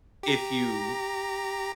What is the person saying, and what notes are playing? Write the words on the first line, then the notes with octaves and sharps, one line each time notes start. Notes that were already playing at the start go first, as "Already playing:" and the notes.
if you
G4 A#5